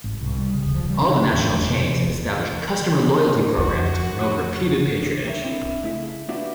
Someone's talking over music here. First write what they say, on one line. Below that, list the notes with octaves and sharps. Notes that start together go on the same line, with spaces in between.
All the national chains have established customer loyalty programs to promote repeated patronage.
G#1
C2
G3
C#3
F3
G3
C#4
E2
F1
G#3
C3
F2 F#4
D4 A4
G3 A#3 A#4 C#5 E5
C4 D4 E4
C#3 G#3 A3 E4
A#3 B3 D4 E4 F#4 G4